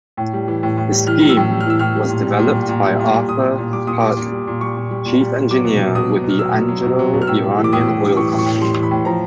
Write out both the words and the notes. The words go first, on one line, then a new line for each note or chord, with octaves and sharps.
The scheme was developed by Arthur Hartley, chief engineer with the Anglo-Iranian Oil Company.
A2
G3
E3
A2
A2
G3
E3 F6
A2
E6
A2
G3
F6
E3 E6
A2 F6
G3
A#2
G3
A#2
G3
A#2
G3
A#2
G3
A#2 D#6
G3
A#2
G3 D6
A#2 D#6
G3 D6
A#2
G3
A#2
G3 C#6
A#2
G3
A#2
G3
A#2
F#3 D6
B2
F#3
B2 D#6
F#3
B2
F6
F#3 E6
B2
F#3
B2
F#3
B2
F6
A2 E6
G3
E3
D6
A2 D#6
A2
G3
E3 C#6
A2
C#6
A2
G3 C6
E3
B5
A2
F3 A#5